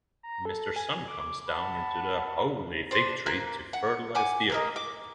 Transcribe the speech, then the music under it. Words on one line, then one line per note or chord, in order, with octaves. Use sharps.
Mr. Sun comes down into the holy fig-tree to fertilize the earth.
A#5
A4
G#5
D6
F#5 A5 B5
D4 C5
A#3 F#6
F#5
F#5 G#5 D6
A#3 A#4 D#5
D6